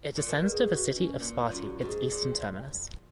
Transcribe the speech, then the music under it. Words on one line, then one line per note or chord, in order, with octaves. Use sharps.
It descends to the city of Sparti, its eastern terminus.
A#2
B2 A#4
A#4
G#4
F#4
C#4
A#2 A#3
F4
F#2
F#4
F4
G#2 F#4
G#4
A#2 G#4